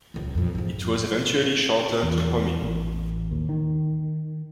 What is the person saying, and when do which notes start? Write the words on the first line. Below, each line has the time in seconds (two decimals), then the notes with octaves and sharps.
It was eventually shortened to "homie".
0.14 D#1 C#2
0.35 F2 A#2
0.55 G#2 F3
2.03 E2
2.62 A1
3.31 D#2
3.49 D#3